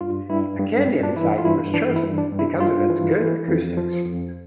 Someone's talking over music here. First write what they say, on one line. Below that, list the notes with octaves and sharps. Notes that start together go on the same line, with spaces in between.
A canyon site was chosen because of its good acoustics.
G2 F4
G2 E4
G2
G2
D4
E3 E4
F4
G2 E4
E3 D4
E4
G2
D4
G2
E4
G2 F4
E3
E3
F2
F3
F2